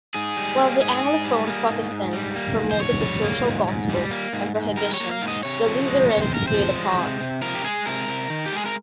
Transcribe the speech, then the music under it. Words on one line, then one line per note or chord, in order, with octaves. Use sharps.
While the Anglophone Protestants promoted the Social Gospel and prohibition, the Lutherans stood apart.
G#2 G#4
G3
A#3
G#2 G#4
G#2
G3
A#3
G#2
G#2
G3
A#3
G#2
C5
G#2 C#5
G3
A#3
G#2
G#2
G3
A#3
G#2
G#2
G3 A#4
C#5
A#3
F5
G#2
D#5
C3 C#5
F3
G#3
C3 C#5
C5
C3 A#4
C5
F3
G#3
C3
C3
F3 A#4
G4
G#3 G#4
C3 A#4
C3
D#3
G4
G#3 G#4
A#4